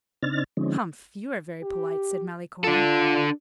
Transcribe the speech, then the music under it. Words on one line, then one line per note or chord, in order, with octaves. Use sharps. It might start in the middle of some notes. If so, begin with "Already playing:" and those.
"Humph! you are very polite!" said Malicorne.
C#3 C4 D4 D#4 F6 A6
D3 F3 G#3 C4 C#4 D#4
G4
D4 F4 A4